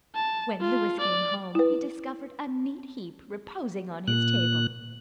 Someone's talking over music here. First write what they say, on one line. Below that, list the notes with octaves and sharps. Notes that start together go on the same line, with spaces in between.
When Louis came home he discovered a neat heap reposing on his table.
A5
F4
D5
E4 B4
A#2 F#6